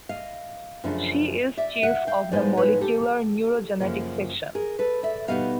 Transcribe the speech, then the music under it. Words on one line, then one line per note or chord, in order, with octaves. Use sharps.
She is chief of the Molecular Neurogenetics Section.
D#5 F5
F#2 C#3 F3 A3 D4
D5 E5
E5 F#5
F5 G5
A2 F3 G#3 B3 D#4 C5 D5
B4 C#5
G4 A4
F#2 C#3 F3 A#3
G#4 A#4
A4 B4
D5 E5
B2 G3 B3 D#4 D#5 F5